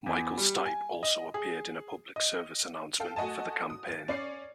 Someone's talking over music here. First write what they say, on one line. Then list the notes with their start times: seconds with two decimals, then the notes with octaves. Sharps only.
Michael Stipe also appeared in a public service announcement for the campaign.
0.06 E2
0.38 G3
0.66 G#5
1.03 D#5
1.34 G#4
2.16 D#5
3.00 A4 F5 G5
3.16 A3 F#4 D#5 G#5 A5
3.70 D#6
3.89 A6
4.08 C#4 D5 C7